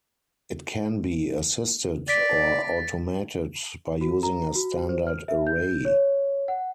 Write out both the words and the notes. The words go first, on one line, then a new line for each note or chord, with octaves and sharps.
It can be assisted or automated by using a standard array.
D5 A6 B6 D7
F#4
A#5
F#4
C5
F6
E5
G6
C#5
F#5